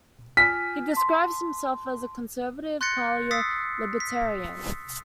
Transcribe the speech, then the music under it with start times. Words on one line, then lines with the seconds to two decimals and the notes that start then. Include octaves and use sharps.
He describes himself as a conservative-paleo-libertarian.
0.37 F4 G#5 F6 B6
0.92 A5 C6
2.81 C6 F#6 G6 A6 A#6 C#7
3.31 D#6 E6 A6 B6 C7
4.00 B6